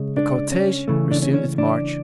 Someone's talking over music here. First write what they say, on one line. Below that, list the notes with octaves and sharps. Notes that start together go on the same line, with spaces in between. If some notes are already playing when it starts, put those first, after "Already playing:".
The cortege resumed its march.
Already playing: C#3 G#3
D4
C#4
C#3 E3 A3
D4
C#4
C#4
D4